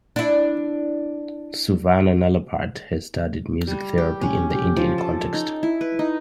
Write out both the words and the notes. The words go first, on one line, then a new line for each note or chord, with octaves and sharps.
Suvarna Nalapat has studied music therapy in the Indian context.
D4 E4
G3
G4
C#4
G4
F3
A4
D#4
E4
B4
D#4